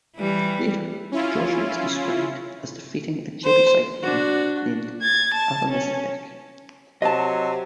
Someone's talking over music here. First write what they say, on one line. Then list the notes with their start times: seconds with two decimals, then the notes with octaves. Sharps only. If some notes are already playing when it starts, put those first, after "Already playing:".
Later, Joshua is described as defeating a Jebusite king named "Adonizedek".
0.17 E3 G3
1.12 C#4 E4 F4
3.44 C5
4.03 D4 F#4
5.01 G#6 A6
5.33 A5
5.69 C#4
7.02 C3 F#3 D#5 A5